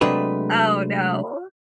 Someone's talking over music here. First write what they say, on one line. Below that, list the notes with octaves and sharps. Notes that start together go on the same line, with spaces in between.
Oh, no.
C3 F#3 G#3 A3 D4 B4